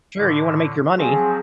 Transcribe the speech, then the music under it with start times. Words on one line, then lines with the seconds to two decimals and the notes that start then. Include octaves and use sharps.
Sure, you wanna make your money.
0.17 A2 D3
0.97 F3 F#3 C4 G#4